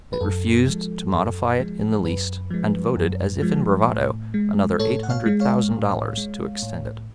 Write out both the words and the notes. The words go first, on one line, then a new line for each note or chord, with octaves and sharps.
It refused to modify it in the least, and voted, as if in bravado, another eight hundred thousand dollars to extend it.
B4
F#2 A4
F3 G#3
F#2
F3 G#3
F#2 B4
F3 G#3
F#2
F3 G#3
A2
G#3
A2 A4 C#5
F#5
C#5 F5
G#3
C#5 F5
A2
G#3
A2